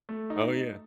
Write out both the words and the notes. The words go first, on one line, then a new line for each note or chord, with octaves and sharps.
Oh, yeah.
A3
D#4